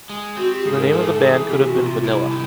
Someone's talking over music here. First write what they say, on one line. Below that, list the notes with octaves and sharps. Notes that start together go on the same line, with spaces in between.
So the name of the band could have been Vanilla.
G#3
C4 F#4
G4
G#2 G#4
A#4
A3 A4
G#4
A4
E3 G#4
C3 G4
F#4
C3
F4
G3 E4
D#3